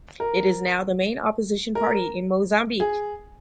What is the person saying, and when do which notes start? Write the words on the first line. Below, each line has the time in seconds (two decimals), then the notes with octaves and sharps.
It is now the main opposition party in Mozambique.
0.20 A#4
1.75 A#4
2.80 G#4